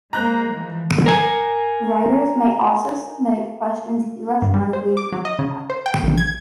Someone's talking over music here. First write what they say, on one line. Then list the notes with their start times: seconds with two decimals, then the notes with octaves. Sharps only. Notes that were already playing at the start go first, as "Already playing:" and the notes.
Writers may also submit questions electronically for feedback.
0.13 G#3 A#3 A#5 F#6 G6
0.53 E3 F3
1.06 A#4 G#5
4.42 G2
4.54 G3
4.73 C5
4.97 D6
5.12 F#3
5.25 D#5
5.39 C#3
5.70 C5
5.86 G5
6.03 A#1
6.18 G#6